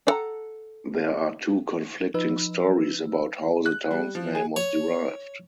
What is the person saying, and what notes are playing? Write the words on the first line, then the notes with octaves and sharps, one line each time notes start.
There are two conflicting stories about how the town's name was derived.
D4 A4 F#5 A#5
F3 D#4 B4 E6
F#6
G3
F3
G#4
C#5